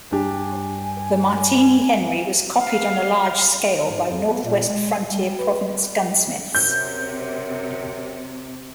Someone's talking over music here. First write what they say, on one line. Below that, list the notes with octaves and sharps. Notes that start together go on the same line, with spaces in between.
The Martini-Henry was copied on a large scale by North-West Frontier Province gunsmiths.
G2 D4 G4 G#5
F5
G#2
F2
B3
A#2
G#3
G3
B4
G3
F#2 C3 G6